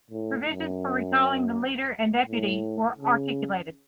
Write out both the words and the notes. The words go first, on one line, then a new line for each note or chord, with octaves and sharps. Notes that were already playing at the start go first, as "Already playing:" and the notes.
Provisions for recalling the Leader and Deputy were articulated.
A2
F#2
A2
C#3